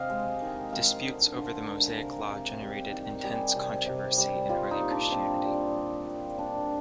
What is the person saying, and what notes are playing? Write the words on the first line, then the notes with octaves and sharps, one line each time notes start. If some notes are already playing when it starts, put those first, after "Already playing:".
Disputes over the Mosaic law generated intense controversy in early Christianity.
Already playing: C3 D#5 F5
G#3
D#3
G#3 F5
D3
D3 C5
G#3 A#4
C3 A#4
C3
G3
D#3
G3 G#4
C3
C3
G3
G3 F4
D#4
A#2
D4
A#2 C4
G3
G3
A#2
A#2 D4